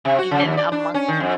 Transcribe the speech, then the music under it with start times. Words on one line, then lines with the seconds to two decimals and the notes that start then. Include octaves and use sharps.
even in among
0.05 C3
0.18 F#4
0.31 C#3
0.45 D#2
0.57 D5
0.72 D4
0.94 C#4
1.08 D#3
1.20 F2